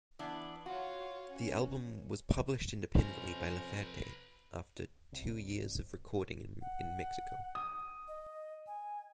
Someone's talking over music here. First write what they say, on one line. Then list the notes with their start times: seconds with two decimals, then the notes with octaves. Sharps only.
The album was publish independently by Laferte after two years of recording in Mexico.
0.19 E3 B3 D4
0.66 F4 F#4 C#5
1.29 C#4
2.95 F2 C3 C#4 B4 C5 A#5
5.12 C2
6.61 F#5
7.55 D#6
8.08 D#5
8.67 G#5